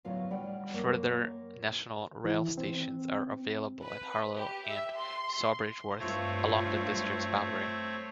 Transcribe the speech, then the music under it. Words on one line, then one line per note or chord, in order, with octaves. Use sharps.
Further National Rail stations are available at Harlow, and Sawbridgeworth, along the District's boundary.
D2 A2 F#3 B3 F4 F5
G3 F4 D5 F#5 G5
F#2 A#3 A4 C#5
E3
C4
B4
G4
E5
C6
G2 A3 C4 F4 C#5